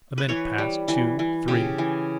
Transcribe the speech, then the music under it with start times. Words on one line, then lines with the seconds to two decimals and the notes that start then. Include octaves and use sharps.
A minute passed--two--three.
0.18 B4
0.29 E3 C#5
0.58 G3
0.88 E3
1.19 E3
1.48 C#3 G4
1.78 E3